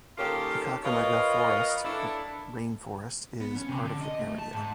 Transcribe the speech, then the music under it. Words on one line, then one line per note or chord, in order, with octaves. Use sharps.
The Kakamega Forest rainforest is part of the area.
D#3 A#3 C#4 F4 G4 A4
F4 A#4 B4 C#5 D#5 F5
D4 E4 A4
B3
C#4
C3
D3
D#5
A3
A5
G#2